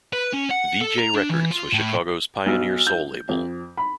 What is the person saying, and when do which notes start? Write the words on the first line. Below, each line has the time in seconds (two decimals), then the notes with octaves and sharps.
Vee-Jay Records was Chicago's pioneer soul label.
0.13 B4
0.33 C#4
0.50 F#5
0.81 A4
0.98 A#5
1.14 D4
1.29 E3
1.51 F4
1.73 A2
2.46 B1
2.87 G6
3.29 F2
3.77 B5